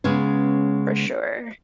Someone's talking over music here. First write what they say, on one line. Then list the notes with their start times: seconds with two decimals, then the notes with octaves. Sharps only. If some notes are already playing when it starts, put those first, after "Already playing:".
for sure.
0.04 C#3 G#3 B3 C#4